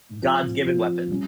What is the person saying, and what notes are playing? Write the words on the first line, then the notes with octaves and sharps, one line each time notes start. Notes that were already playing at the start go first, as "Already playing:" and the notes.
God's given weapon.
F3 C4 F4
F3 C4 F4
G3 C#4